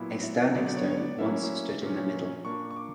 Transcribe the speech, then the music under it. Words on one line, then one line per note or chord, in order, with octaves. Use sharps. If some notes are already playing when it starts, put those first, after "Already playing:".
A standing stone once stood in the middle.
Already playing: A#2 F#3 B3 E4
E5
D3 F#3 B3 D5
D5
C#5
C#5
D5
F#3 A#3 C#4 E4 E5
A#2 F#3 C#4
A#2 A#3 D4 C#6
C#6
D6